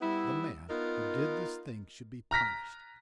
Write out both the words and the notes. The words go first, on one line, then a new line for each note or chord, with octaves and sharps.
The man who did this thing should be punished.
G3 B3 E4
B3 D#4 F4 A#4
A#5 F6 A#6 B6